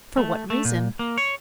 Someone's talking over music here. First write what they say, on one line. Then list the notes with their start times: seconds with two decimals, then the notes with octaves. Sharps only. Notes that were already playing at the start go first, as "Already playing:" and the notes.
"For what reason?"
0.17 A3
0.50 A3
0.65 A#2
0.99 A#3
1.18 C#5